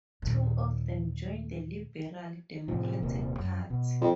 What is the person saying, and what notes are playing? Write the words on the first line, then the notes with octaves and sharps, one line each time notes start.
Two of them joined the Liberal Democratic Party.
D#2 A#2
A2 C3 F3
D#1 C3 A#3
F#2
B2
F2